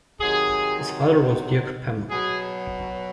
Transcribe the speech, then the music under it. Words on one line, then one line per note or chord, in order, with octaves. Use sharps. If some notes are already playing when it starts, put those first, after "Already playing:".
His father was Duke Pemmo.
C3 D#3 F#3 G#4
B2 F#3 G#4